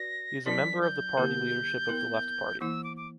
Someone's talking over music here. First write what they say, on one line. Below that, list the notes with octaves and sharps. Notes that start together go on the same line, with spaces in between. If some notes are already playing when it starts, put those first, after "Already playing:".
He is a member of the party leadership of the Left party.
Already playing: F#4 B4 D5 A#6
F#3 C#4 E4 A#4 D5 B6
G6
D3 A#3 E4 G4 A#4
B3 E4 A#4
E3 A#3 E4 E6
D6
D6